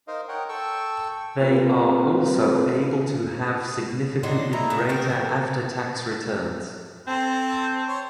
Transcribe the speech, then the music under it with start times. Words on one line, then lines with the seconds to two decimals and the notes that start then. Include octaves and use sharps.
They are also able to have significantly greater after-tax returns.
0.08 D#4 A#4 C5 D#5 F5
0.28 A#4 C#5 F#5 G5
0.49 A4 G5 C#6 E6
1.41 A#3 C4 F4 B4
4.23 A2 F#3 D4 D#4 C6
4.53 D#3 G3 E4 A#5
4.70 D3 E3 G#4
4.89 F#4 A4 A#4 G5
7.07 C4 A4 C5 A5
7.88 C#5 C6